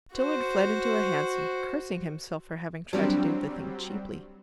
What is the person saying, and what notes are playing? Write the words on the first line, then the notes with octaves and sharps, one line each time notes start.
Tilliard fled into a hansom, cursing himself for having tried to do the thing cheaply.
F#4 C5
F#3 G3 C4 D4 E4 F4